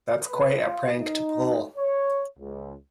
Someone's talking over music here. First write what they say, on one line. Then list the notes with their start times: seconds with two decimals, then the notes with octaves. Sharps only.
That's quite a prank to pull.
0.23 B4
0.61 F4
0.96 D#4
1.77 C#5
2.39 C#2